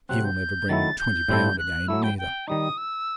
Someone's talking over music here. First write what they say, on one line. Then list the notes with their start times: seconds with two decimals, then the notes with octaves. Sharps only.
He'll never bring twenty pound again, neither.'
0.09 C3 F#3 C4 F#6
0.24 G6
0.69 D#3 F#3 A3 E4 A6
0.99 G6
1.28 A2 G3 C4 E4 A4
1.59 F#6
1.88 F#3 A3 E4 E6
2.03 G5
2.18 G5
2.48 D#3 G3 D#4 D#6
2.78 E6